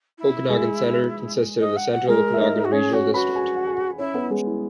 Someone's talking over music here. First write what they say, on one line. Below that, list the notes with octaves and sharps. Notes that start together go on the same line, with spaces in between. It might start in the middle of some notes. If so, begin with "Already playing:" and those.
Okanagan Centre consisted of the Central Okanagan Regional District.
E4
G#3 G#4
D#5
F#5
F#5
G#3 G#4 A#4
E5
D#4 D#5
F#4
C#4 G#4 C#5
C#4 F#4 C#5
F#4 B4 B5
G#4 G#5
F#5
G#4 G#5
C#4 E4 C#5
B3 B4
G#3 G#4
E4